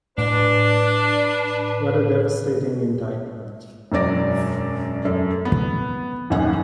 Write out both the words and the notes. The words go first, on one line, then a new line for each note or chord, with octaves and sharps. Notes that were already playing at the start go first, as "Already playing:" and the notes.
What a devastating indictment.
A2 D4 B4
E1 F#2 F#3 D5 A#6
F#2 A3
B3
D#1 G#1 F#2 F#5 G#5